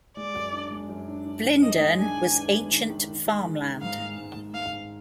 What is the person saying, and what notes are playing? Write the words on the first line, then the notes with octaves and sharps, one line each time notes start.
Blindern was ancient farmland.
G#3 D5
F#2
D4
G#3
F#2
D4
D4
D#3
D#3 D#5
G#3
D4 G#5
D#3
D4
G#3
D#3
D#3
D#3
G#3
D#3
D#3
G#2 F5
G#3
G#2
G#3
G#3 F5
G#2